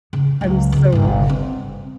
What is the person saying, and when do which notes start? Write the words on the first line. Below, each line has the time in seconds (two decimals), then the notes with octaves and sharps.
I'm so
0.13 C#3
0.41 C#2 F#3
0.72 C#3 C4
0.92 G1 B2
1.30 C4